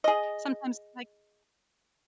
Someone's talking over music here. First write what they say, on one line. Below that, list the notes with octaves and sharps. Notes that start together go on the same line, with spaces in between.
sometimes, like
G#4 D#5